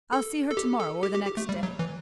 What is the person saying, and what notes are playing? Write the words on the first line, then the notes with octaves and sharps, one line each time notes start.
I'll see her to-morrow or the next day.
A4
A4
G4
A4
G4
G4
G4
A3
G3
F#3
E3